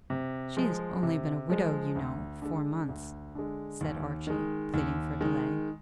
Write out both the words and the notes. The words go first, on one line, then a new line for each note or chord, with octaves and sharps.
"She has only been a widow, you know, four months," said Archie, pleading for delay.
C3
F3 G#3
C3
F3 G#3
D2
D3 G#3
D2
D3 G#3
D#2
D#3 G#3
D#2
D#3 G#3